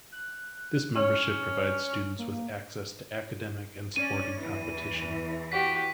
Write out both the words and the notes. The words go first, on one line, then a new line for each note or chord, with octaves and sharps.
This membership provides students with access to academic and sporting competition.
F#6
C#4 C#5
A#3
C#4 D5 D#7
E2 E3
F#4 G4 B6